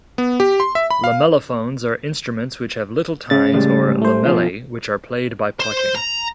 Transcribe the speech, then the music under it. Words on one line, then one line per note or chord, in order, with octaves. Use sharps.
Lamellophones are instruments which have little tines, or "lamellae", which are played by plucking.
B3
G4
C6
E5
B5
F5
C#3 A6
A2 G3 G#3
A3 C5
B2 F3 F4
C5
A#5